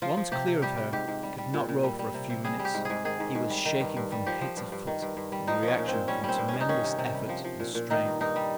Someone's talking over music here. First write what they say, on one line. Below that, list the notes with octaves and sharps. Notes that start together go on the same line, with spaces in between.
Once clear of her he could not row for a few minutes; he was shaking from head to foot with the reaction from tremendous effort and strain.
F3 F4
F3
C3 G4
C3
G3 G4
G3
G#2 G4
G#2
G3
G3
A#2
A#2
G3
G3
C3
C3
G3 G#4
G3
G4
G#2
G#2 G#4
D#3 G#4
G#2
G#2
G3
D#3
G2
G2
G3
F3 G4
F3
G2
G2
D#3
G2
G2
G3
F3 D#4
F3
C#4
A#2
A#2 C4
G3 C#4
G3 C4
G2
C#4
G2
D#4
D#3 C#4
C3
C3
G3
F3
F3
A#2
A#2
D#3 D#4
G2
G2 D#4
G3